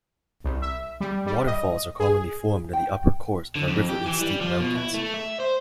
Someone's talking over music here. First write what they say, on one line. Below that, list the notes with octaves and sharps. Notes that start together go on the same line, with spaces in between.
Waterfalls are commonly formed in the upper course of a river in steep mountains.
C2
E5
G3
G3
D#5
G#4
G5
D3
F2
G4
E3
G3
F3
B2
E4
A3
E5
C5